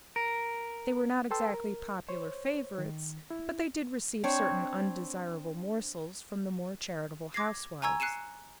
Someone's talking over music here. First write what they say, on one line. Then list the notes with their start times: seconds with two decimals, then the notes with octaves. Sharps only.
They were not exactly popular favorites, but they did receive certain undesirable morsels from the more charitable housewives.
0.16 A#4
1.31 A4 B4 G5 A5 C6 E6
1.54 A#4
2.09 C5 C#5
2.78 D#3
3.30 E4
4.24 C4 D4 C5 C#5
7.34 D6 G#6 A#6 C7
7.82 G#5 A#5 C#6 E6 G#6
8.00 F#6 C7 C#7 D#7 E7